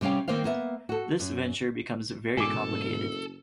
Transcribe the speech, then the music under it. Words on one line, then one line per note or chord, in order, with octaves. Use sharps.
This venture becomes very complicated.
C3 G3 C#4 F5 G5
D#3 A#3 C4 C5 F5
A#3 B3 E5
F#4 A4
F#2
F#1 G#2 B2 E3 A4 G#5 D6